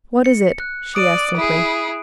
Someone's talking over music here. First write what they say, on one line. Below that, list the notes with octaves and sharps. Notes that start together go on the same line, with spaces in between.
"What is it?" she asked simply.
C#7
F#6
D5 D#6 D7 D#7
E4 G#4